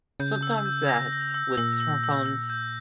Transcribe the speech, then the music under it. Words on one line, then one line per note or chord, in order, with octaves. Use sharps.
sometimes that with smartphones
C#3 G6
E6
G6
A#6
A#6
E6
A#2 E6
E6
E6
E6
G6